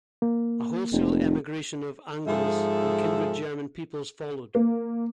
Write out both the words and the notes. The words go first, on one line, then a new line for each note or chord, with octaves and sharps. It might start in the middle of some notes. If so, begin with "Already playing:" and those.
A wholesale emigration of Angles and kindred German peoples followed.
A#3
F1
G#2 F3 G#4 A4 E5
A#3